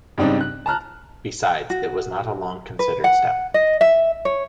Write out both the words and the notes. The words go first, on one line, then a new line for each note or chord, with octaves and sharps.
Besides, it was not a long-considered step.
G#2 C#3 G3 C4 D4 D#4
F#6
A5 A#5 F6 F#6
F#4
B4
F#5
D#5
E5
C#5